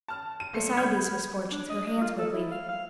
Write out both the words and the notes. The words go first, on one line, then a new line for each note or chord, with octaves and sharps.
Beside these misfortunes her hands were bleeding.
A5 F6
D#7
F#1 A3 C7 C#7
B5 F6 G6 G#6
D4
D#5
D#5
F4
A4
E4
F5
F5